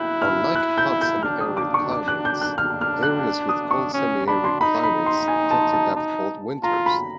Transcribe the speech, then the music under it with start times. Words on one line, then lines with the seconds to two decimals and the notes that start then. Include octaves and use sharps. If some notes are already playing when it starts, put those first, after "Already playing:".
Unlike hot semi-arid climates, areas with cold semi-arid climates tend to have cold winters.
Already playing: E4 F#6 G6
0.22 F6
0.55 F#6
0.78 G6
1.01 G6
1.23 D4 F6
1.40 D#6
1.57 D6
1.74 C#6
1.91 D6
2.08 F#6
2.25 G6
2.41 F#6
2.58 D4 F6
2.81 F6
3.03 F#6
3.49 D#6
3.71 C#6
3.93 C#4
4.27 D4 B5
4.44 C6
4.61 D#4 B5
4.83 B5
5.06 C6
5.28 G#5
5.51 A5
5.73 A5
5.95 D#4
6.63 F4 A#5
6.86 B5